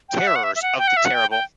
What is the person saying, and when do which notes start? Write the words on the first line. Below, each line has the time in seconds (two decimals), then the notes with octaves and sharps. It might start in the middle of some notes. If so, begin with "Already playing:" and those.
Terrors of the terrible!
0.09 G5
0.18 F#5
0.27 E5
0.35 F#5
0.44 E5
0.55 E5
0.62 F#5
0.78 G5
0.88 F#5
0.97 E5
1.05 F#5
1.14 G5
1.31 G5